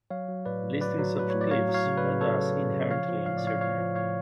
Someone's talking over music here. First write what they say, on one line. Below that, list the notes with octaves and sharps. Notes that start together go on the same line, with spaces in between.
Listings of cliffs are thus inherently uncertain.
F#3 C#5 F5
F#3
A2 B4 D5
A2
F#3 B4 D5
F#3
A2 B4
A2 C#5
D5
F#3 C#5 F5
F#3
C#5 F5
C#3
B4 D5
C#3
F#3 A4 C#5
F#3
C#3
C#3
F3 C#5 F5
F3
A2 F5
D5
A2 C#5 F5
F3 C#5 F5
F3
A2 C#5 F5